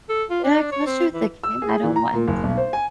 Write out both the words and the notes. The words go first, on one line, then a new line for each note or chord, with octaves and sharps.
Yeah, especially with a kid. And I don't want him to
A4
F4
D4
C#5
C4
E3
E6
G#4
E3
A#5
A#2
F#1
B1
C5
G#5